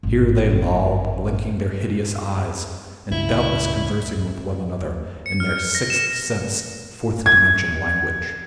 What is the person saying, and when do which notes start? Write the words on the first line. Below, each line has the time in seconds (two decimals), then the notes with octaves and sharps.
Here they lolled, blinking their hideous eyes, and doubtless conversing with one another in their sixth-sense-fourth-dimension language.
0.03 G#1 D3
3.12 C#2 E4
5.26 C#7
5.40 F6
5.56 C#7
5.75 A#6
5.90 E7
7.26 G#6